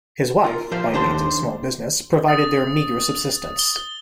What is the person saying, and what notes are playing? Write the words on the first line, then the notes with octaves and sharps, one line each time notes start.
His wife, by means of a small business, provided their meager subsistence.
F4 A#4
F3 A#4 C5 F5
D#2 D4 C5 A5 C6
D#6 A6
G7